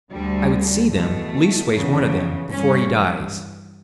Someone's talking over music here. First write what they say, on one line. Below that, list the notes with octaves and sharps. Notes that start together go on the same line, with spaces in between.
I would see them--leastways, one of them, before he dies.
D2 D3 G3
E2 B2 A3
E2 C#3 E3
G2 E3 C#4